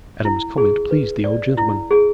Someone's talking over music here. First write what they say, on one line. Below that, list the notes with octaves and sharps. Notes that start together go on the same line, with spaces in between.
Adam's comment pleased the old gentleman.
E4
G#4
B4
D5
E4
G#4